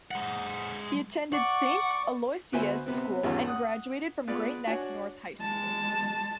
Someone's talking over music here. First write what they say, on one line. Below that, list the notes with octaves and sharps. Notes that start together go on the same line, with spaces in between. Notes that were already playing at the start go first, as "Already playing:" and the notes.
He attended Saint Aloysius School and graduated from Great Neck North High School.
G#3 F#5
D5 F#5 C#6
D2 B3 F#4 C5 E5 G#5
C3 B3 C4
G#1 E2 G#2 G3 C#4 F4
F#5 D#6 F#6
G#3 B3 F4 D5
D4 F#4 C#5 D5 G#5
G#3 A5